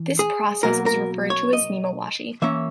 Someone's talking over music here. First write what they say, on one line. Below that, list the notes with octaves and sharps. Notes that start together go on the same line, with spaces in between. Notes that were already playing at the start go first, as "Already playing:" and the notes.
This process is referred to as "nemawashi".
Already playing: E3
G#4
B2 F#3 A#3 A#4
A#4
C#5
D#5
E3 A#3 C#4 E5